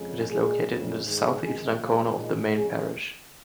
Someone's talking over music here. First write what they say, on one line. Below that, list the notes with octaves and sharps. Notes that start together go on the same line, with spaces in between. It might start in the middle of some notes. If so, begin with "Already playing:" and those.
It is located in the south eastern corner of the main parish.
Already playing: F2 C#3 G#3
A#2 G#3 G#4
F2 C#3 G#3
G#2 D#3 G#3
F2 D#3 G#3 G#4
A#2 F3 G#3 F4
A#2 G#3 D#4
F2 C#3 G#3 G#4